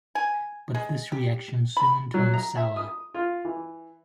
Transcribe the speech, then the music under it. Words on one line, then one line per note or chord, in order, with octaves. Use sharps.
But this reaction soon turned sour.
G#5
G#3
G4
B5
F#3
A#5
E5
D#6
F4
E3